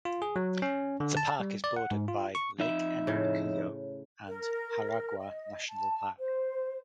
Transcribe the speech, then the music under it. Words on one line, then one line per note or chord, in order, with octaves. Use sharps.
The park is bordered by Lake Enriquillo and Jaragua National Park.
F4
G#4
F#3
C#4
D3
A5
G3
D5
F#5
G#2
F4
C#6
F2 D#4 E5
A2 C#3
A#4
D#5
A5
C5